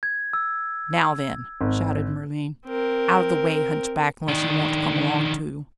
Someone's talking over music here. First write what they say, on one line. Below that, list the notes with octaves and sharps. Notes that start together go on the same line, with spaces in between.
"Now then," shouted Merlin, "out of the way, hunchback, unless you want to come along too."
G#6
E6
G#1
C4 A#4
D#3 D4